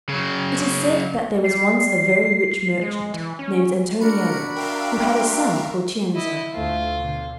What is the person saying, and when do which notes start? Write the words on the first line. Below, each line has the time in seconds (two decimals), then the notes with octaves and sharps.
It is said that there was once a very rich merchant named Antoniello, who had a son called Cienzo.
0.09 C#3 F#3
1.44 G3 C7
2.81 G#3
3.14 E3
3.39 C#4
4.01 D4 F#4 A#4 B5 C#7
4.56 A#4 E5 F5 G5 C6
6.15 E4 D#5
6.53 D2 A3 F4
6.97 B2 D3